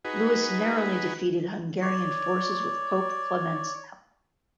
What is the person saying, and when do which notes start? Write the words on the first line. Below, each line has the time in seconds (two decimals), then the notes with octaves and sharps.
Louis narrowly defeated Hungarian forces with Pope Clement's help.
0.05 D#4 F#4 G#4 B4
1.81 C#5 D5